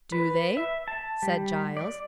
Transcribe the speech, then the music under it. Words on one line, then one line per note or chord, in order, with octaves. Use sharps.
"Do they?" said Giles.
B4
E5
A5
G3
D5